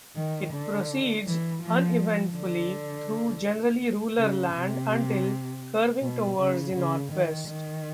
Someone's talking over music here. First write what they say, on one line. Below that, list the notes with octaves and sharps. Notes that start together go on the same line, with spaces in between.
It proceeds uneventfully through generally rural land until curving towards the northwest.
D#3
D3
E3
F3
D3
C#3
C3
B2
C#3
C#3
D#3
D#3